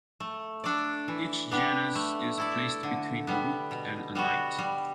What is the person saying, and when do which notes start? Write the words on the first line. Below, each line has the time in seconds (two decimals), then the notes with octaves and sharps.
Each janus is placed between a rook and a knight.
0.20 A3
0.64 D4 A4 D5
1.08 E3
1.51 B3 D4 G4 B4
1.95 A3
2.38 E4 A4 D5
2.83 D3
3.27 G3 B3
3.71 B2
4.15 G3 B3 F#4
4.59 G3